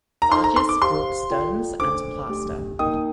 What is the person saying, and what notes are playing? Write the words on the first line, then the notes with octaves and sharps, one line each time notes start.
Barges brought stones and plaster.
A#5
D#4 A4 C5 D#5 C6
A#5
C6
D6
G4 C5 F5 C6
F4 A4 D5 G5
A3 D4 A4 C5 D6
A3 D4 G4
A#3 D#4 A#4 D#5 G5 D#6